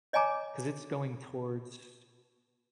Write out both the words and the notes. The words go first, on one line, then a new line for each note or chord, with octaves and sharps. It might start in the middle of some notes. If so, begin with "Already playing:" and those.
'Cause it's going towards
C#5 D#5 G5 G#5 A#5 D6